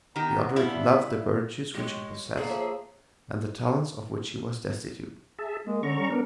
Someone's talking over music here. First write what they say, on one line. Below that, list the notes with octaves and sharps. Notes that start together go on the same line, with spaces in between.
Theodoric loved the virtues which he possessed, and the talents of which he was destitute.
D#3 B3 D4 G4 A#5
G3 C#4 E4 F4 E5
G#3 G4 C#5
D3 A#3 G#4 A4
F3 C#5 E5
G#4 E5 A5
G#3 A#3
D3 C#4 A#5 C#6
G3
B3 D4 A#4